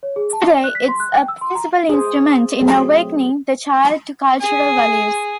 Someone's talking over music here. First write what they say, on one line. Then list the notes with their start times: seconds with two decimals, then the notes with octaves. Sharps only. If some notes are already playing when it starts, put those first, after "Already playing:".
Today it is a principal instrument in awakening the child to cultural values.
0.03 C#5
0.16 G#4
0.33 A5
0.50 D5
0.64 F#6
0.75 B6
0.88 C6
1.00 F#6
1.12 G5
1.28 E6
1.41 C6
1.55 A#5
1.89 G#4 C5
2.61 F#3 A3 C4 G#4
4.41 G#4